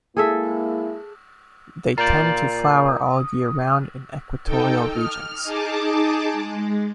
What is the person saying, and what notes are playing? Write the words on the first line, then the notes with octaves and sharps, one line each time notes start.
They tend to flower all year round in equatorial regions.
G#3 A#3 E4 G#4 A4 E5
A#2 F4 D5 A#5 G6
D#4 A4 G5
F6
D#4 G#4 A5 D6
G#3